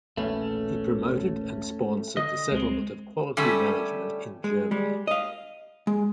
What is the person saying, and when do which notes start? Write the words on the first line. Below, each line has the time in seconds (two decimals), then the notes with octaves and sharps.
He promoted and sponsored the settlement of quality management in Germany.
0.17 E1 A#1 A3 B3 C#4
2.17 D3 D#5
2.51 C#2 G#3 C4
3.37 D3 G3 A3 C#4
4.44 G#3
4.71 G3 G#3
5.07 D#5 F5
5.87 G#3